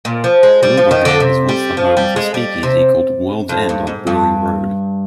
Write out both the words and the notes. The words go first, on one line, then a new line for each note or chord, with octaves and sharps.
Wilbraham was once the home of a speakeasy called "Worlds End" on Burleigh Road.
A#2
F3
G#3
G3
F3
D#3
D3
C3
G3
F3
G3
G#3
G3
C3
F2
G2
G#2
G2